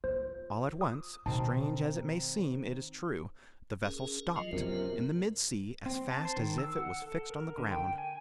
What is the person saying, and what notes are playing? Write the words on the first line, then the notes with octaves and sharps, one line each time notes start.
All at once--strange as it may seem, it is true,--the vessel stopped, in the mid sea, as fast as if it was fixed on the ground.
F4 C5
D#6
B2 D#3 C4 D#4 A5
C#4 G#4 A#4
F3 F#3 F4 D#5
F#2 C3 B3 F4 A#4
C4
A5
C5
D#3
E6
F#5
A4
A#4
D3
G5
G#5